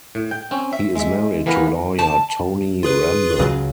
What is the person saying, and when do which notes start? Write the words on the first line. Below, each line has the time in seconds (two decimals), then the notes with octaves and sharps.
He is married to lawyer Toni Rembe.
0.15 A2
0.31 G5
0.51 C4 C#4
0.73 E5
0.96 G#3 E5
1.46 E3 A#3 B3 A#4 B4
1.99 A5
2.83 F4 G#4 B4
3.39 C#2 C#3 F#3